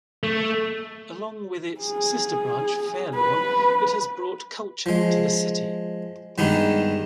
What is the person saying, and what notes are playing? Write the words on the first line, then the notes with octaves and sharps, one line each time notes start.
Along with its sister branch, Fairlawn, it has brought culture to the city.
A3
G#4
B4
F3 G#3
G2 D#3 G#3 B3 D#4